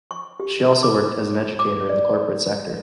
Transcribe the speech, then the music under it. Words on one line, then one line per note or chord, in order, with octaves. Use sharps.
She also worked as an educator in the corporate sector.
C#6
G4
D6
D6
D5